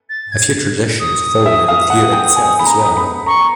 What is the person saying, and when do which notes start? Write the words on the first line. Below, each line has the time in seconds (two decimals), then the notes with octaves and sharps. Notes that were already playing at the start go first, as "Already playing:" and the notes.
A few traditions follow the revue itself as well.
0.09 A6
0.32 G#6
1.00 D#6
1.46 E5
1.68 F5
1.90 F#5
2.13 G5
2.36 G#5
2.59 B5
2.66 A#5
2.97 B5
3.26 A#5 C#6